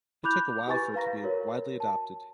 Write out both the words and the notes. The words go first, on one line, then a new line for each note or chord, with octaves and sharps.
It took a while for it to be widely adopted.
E4 B5 D6 F#6 G6 F7
E4 G4 B4 G#5 C#6 A6
B4 F5 A#5 A#6
F#4 A#4 C#5
A5